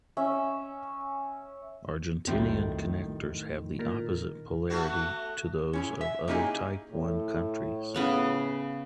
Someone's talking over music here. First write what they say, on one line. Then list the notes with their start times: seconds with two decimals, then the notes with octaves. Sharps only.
Argentinean connectors have the opposite polarity to those of other Type One countries.
0.17 C#4 E5
2.27 C2 F2 A2 D#3 F#3 A3 C4
3.79 A#2 A#4
4.70 A3 B3 F#4
5.73 C#4 E4 G#4
6.01 E5
6.28 A#3 C#4 D#4 E4 G4 G#4
6.93 A2
7.94 C#3 B3 C#5